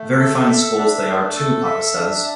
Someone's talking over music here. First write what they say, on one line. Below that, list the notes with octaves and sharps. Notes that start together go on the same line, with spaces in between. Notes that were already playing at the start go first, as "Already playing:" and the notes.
Very fine schools they are, too, papa says.
Already playing: A3
A4
E5
D4
A3
A4
E5
D4